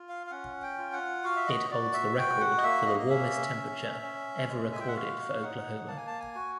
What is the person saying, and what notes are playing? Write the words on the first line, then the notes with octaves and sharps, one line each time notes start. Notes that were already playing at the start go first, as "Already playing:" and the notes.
It holds the record for the warmest temperature ever recorded for Oklahoma.
Already playing: F4
F5
F5
C#4 F#5
G5
F4
F#5
F#4 F5
E5
D#5
F#4 D5
E5
F#4 G5
F#5
D#5
A#3 E5
D#5
D#5
C#4 E5
C#4
C#4
G#3
G#5
G5
F#5
F#4 F5
D#4 F#5
A#3 A5
G#5
A5
G#5
F#4